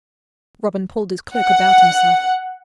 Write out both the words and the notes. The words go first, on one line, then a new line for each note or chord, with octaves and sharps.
Robin pulled his cloak about himself.
F#5